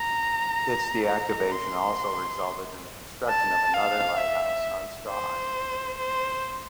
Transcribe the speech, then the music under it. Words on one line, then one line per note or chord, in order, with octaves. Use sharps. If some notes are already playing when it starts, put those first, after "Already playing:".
Its deactivation also resulted in the construction of another lighthouse on Straw Island.
Already playing: A#5
A#5
C6
A5
F5
E5
C5
C5